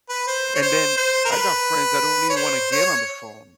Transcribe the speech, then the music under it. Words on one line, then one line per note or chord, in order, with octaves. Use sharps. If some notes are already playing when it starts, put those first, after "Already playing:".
And then I got friends that don't even wanna get on the phone.
B4
C5
C#5
C5
C5
A#4
B4
C#5
C5
C#5